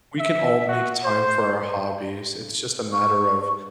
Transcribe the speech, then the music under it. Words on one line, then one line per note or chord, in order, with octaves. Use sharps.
we can all make time for our hobbies, it's just a matter of,
E5
F#4
C5
C#6